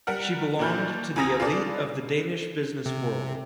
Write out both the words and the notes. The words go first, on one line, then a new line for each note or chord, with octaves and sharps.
She belonged to the elite of the Danish business world.
G3 A#4 F#5 F6
A#2 D4 F#4 F6 G6
C#2 G#5 A#5 D#6 A#6
F4 A4 B4 D5
C3